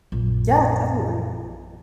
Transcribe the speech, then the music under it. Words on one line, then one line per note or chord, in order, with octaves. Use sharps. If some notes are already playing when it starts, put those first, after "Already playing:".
yeah, definitely.
A#1 F#2